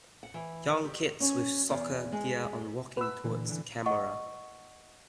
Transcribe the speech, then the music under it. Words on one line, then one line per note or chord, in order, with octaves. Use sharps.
Young kids with soccer gear on walking towards the camera.
F#5
E3
G4
C#4
E2
G#3
B4 E6
A#2 D3 E3
D3 E3
D#5 F#5 C#6